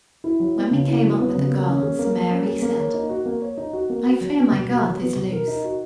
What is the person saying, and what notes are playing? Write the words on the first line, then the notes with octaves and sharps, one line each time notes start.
When we came up with the girls, Mary said: "I fear my girth is loose."
E4
F#3
B3
C#3
E4
F#3
B3
C#3
A#3
C#4
G#4
A#3
A#3
C#4
G#4
A#3
C#5
D#4
F#4
A#3
C#5
D#4
F#4
A#3
F#4
F#3
B3
B2
F#4
F#3
B3
B2
A#4
D#4
F#4